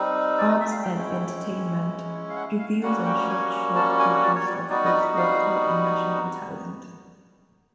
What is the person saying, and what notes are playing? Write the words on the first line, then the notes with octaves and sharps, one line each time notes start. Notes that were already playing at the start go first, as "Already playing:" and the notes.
Arts and Entertainment: Reviews and short show previews of both local and national talent.
Already playing: G3 C4 D#4
D5
D#5
E5
F5
G5
G#3 C#4 E4 G5
F5
F#5
F5
G3 A#3 C#4 F#4 F#5
F#5
G5
G#5
A5
G#5
D5
C#5
D5
G3 B3 D#4 F#4 D5
D#5
E5
F5